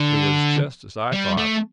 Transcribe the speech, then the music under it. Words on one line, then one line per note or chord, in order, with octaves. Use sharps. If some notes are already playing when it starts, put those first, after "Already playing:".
It was just as I thought.
Already playing: D3
G3
A3